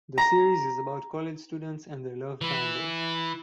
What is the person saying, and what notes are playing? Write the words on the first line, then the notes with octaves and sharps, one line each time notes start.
The series is about college students and their love triangles.
A#5
E3 E4